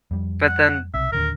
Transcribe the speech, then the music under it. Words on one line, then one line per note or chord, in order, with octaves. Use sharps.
But, then
F2 G3
F#5
B1 C3 E5
D1 D#2 D3 A#4